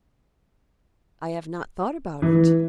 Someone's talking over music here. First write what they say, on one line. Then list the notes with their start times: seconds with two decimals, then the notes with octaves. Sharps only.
"I have not thought about it."
2.22 E3